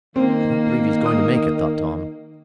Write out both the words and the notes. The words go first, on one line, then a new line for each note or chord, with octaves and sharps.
"I don't believe he's going to make it," thought Tom.
D#3 A#3 C4
D#6